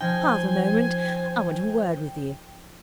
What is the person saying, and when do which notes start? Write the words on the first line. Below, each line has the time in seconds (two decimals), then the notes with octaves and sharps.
Half a moment: I want a word with you.
0.01 F3 D#4 C5 G5 G#5